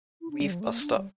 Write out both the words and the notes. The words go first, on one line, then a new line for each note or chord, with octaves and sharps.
We've bust up.
E4
D4
G3
F3
A3
A#3
D4
G3